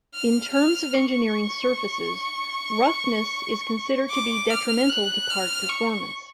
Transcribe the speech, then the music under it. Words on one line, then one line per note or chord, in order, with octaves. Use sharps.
In terms of engineering surfaces, roughness is considered to be detrimental to part performance.
F6
F6
C#6
D6
F6
F#6
F6
C#6